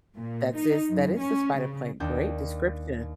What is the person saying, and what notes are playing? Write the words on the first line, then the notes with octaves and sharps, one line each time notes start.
That's is That is the spider plant, great description.
A#2
D#4
F#2
C#4
C#3
D#2 D4 G5 G6